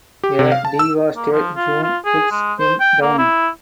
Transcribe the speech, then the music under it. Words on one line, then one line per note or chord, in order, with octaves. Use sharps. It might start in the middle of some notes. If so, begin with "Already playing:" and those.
A devastated June puts him down.
G4
C3
F5
A5
E6
A#3
F3
F4
F4
G#4
G#3
C5
G5
A#3
E4